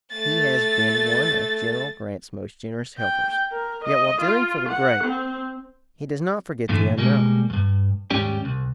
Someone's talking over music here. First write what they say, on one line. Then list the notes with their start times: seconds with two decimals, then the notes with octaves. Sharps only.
He has been one of General Grant's most generous helpers; yet while doing for the great, he does not forget the unknown.
0.12 A3 A6
2.98 G5
3.52 A#4
3.85 D#5
4.22 F4
4.69 F#5
5.04 C4
6.69 G2 A#2 D3 E3
6.98 B2 G3 G#3 A#3
7.50 E2 G2
8.10 D#2 G#2 G3 C#4 G4 D5
8.45 C2